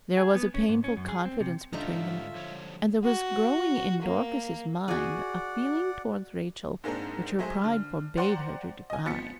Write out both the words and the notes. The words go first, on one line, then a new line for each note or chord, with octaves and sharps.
There was a painful confidence between them; and there was growing in Dorcas's mind a feeling towards Rachel which her pride forbade her to define.
G#4
B3
C#4
G#2
C#4
F#2
G#4
C4
C3
G#2 D3 G3 C#4 D#4 F4 E5 A#5
F3 G3 C#5
F#4
A#3
F#4 G#4 D5 F#5
G#2 G#3 A#3 C4 D4 D#4
F#3 G#3 A3 G#4 C5
D3 F6
C5 D5 F#5 G5 A#5 C6
D#5 G#5
F3 B3 A6 B6 C#7